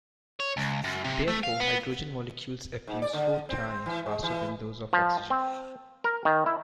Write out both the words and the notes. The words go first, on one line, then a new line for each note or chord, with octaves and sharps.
Therefore, hydrogen molecules effuse four times faster than those of oxygen.
C#5
C#2
F#2
C3
A3
F5
B3
G#2
D5
D3
C4
E3
G#3
E3
F3
C4
A#4
D#3
E4